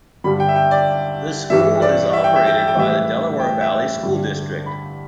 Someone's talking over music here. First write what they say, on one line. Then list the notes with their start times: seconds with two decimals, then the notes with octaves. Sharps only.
The school is operated by the Delaware Valley School District.
0.24 G2 D3 G3 B5
0.40 G5
0.48 E5
0.56 G5
0.71 D5
1.50 G2 E3 G3 E5
1.82 D5
2.13 E5
2.24 G5
2.36 E5
2.47 G5
2.58 E5
2.68 G5
2.77 A2 E3 G3 E5
3.40 G5
3.61 E5
4.03 G2 D3 G3
4.66 B5